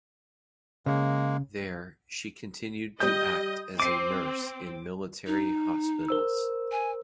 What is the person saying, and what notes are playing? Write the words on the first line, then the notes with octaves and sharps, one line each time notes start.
There, she continued to act as a nurse in military hospitals.
C#3 G#3 A#3
G3 D#5 G6
C4 D6 C7 D#7
D#4
A#4 C5 E6
G#5